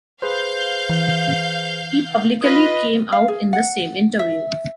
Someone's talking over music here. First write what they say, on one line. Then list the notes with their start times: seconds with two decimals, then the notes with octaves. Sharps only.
He publicly came out in the same interview.
0.22 G#4 B4 C5 F5 G6
0.90 E3
2.41 F4 B4 D#5 D#6
3.12 F5
3.28 G#4
3.53 F#5
4.19 E5